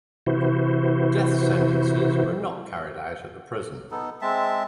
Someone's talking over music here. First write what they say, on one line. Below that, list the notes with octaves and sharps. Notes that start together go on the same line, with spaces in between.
Death sentences were not carried out at the prison.
C3 E3 E4 F#4 C5
B3 D#4 A4
G#3 C4 E5 A5